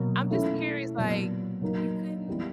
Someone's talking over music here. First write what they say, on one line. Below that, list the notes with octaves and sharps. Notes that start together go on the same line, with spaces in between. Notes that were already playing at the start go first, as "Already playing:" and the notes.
I'm just curious, like, "You couldn't,
Already playing: B2 F#3 A#3
E3 A3 C#4 E4
A#2 F#3 B3
F#3 A#3 D#4
E3 G3 B3